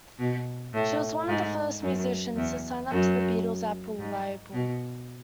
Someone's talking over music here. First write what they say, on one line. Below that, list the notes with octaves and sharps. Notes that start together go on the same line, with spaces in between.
She was one of the first musicians to sign to The Beatles' Apple label.
B2
A2
G#2
F#2
E2
F#2
G#2
B2